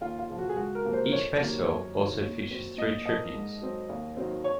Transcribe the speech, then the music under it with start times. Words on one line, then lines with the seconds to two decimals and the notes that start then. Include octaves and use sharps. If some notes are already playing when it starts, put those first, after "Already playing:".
Each festival also features three tributes.
0.01 D#2 F4
0.19 F4
0.29 C#3 F3
0.38 F#4
0.49 G#4
0.56 C#2 F#4
0.75 A#4
0.85 C3 F3 A#3
0.93 C5
1.12 F2 C#5
1.40 C3 D#3 F#3 A#3
1.67 F#2
1.95 D#3 F#3
2.23 A#2
2.51 F#3 C4
2.78 A#2 D#5
3.05 F3 A#3 D#5
3.33 G#2
3.62 F#3 C4
3.89 D#2
4.17 D#3 F#3 C4
4.44 C#5